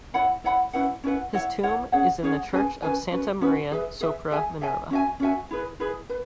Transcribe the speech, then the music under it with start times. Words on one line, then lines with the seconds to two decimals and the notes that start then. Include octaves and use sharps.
His tomb is in the church of Santa Maria sopra Minerva.
0.14 E4 C#5 F#5 B5
0.44 E4 C#5 F#5 B5
0.73 C#4 E4 B4 F#5
1.04 C#4 E4 B4 F#5
1.34 E4 C#5 F#5
1.63 E4 C#5 F#5
1.92 C#4 G#4 C#5 F#5
2.23 C#4 G#4 C#5 F#5
2.53 C#4 G#4 B4 G#5
2.82 C#4 G#4 B4 G#5
3.11 C#4 F#4 B4
3.41 C#4 F#4 B4
3.72 G#4 B4 E5
4.01 G#4 B4 E5
4.31 G#4 E5 G#5
4.61 G#4 E5 G#5
4.91 C#4 F#4 E5 G#5
5.20 C#4 F#4 E5 G#5
5.51 E4 G#4 B4
5.80 E4 G#4 B4
6.09 B4